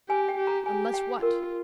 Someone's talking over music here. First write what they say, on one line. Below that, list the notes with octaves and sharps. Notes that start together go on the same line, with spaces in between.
"Unless what?"
G4 G#5
G5
G4
A#5
G4 G#5
G5
F4 A#4